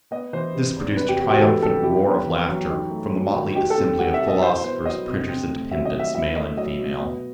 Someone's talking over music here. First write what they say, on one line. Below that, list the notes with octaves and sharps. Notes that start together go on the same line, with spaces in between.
This produced a triumphant roar of laughter from the motley assembly of philosophers, printers, and dependents, male and female.
B3 D#5
E3 C5
C3
E2
C3 B4
G4
B3 F#4
G4
E3 A4
C3 A4
E4 G4
B3
E3
F#2
D#4
A3
F#3
D#3
D#4 G4
A4
C4
G3 F#5
E5
B2
D#5
E4 C5
B3 C5
F#3 D#5
C3
C4
A3
F#3 E5
D#5
D#3
E5
E4 E5
A3 D#5
F#3 D#5
B2
B3